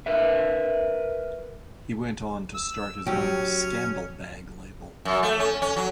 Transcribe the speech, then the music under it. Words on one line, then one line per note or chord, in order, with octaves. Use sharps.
He went on to start his own Scandal Bag label.
A#4 B4 E5
E6
F#3 C#4 G4
F#2
A3
C#4
C#4
F#3